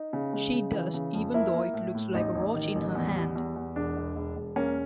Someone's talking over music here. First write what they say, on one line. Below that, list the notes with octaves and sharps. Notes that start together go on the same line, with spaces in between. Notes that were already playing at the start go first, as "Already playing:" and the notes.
She does, even though it looks like a roach in her hand.
Already playing: D#4
C#3
G#3
C#3
E3
C#3
F2
A#3 E4
A#3
A2
A2
A1 D#4
A1
D#3
A1
E2
G3
E2
E2
E1 D4
E1
E1
E1
A#3 C#4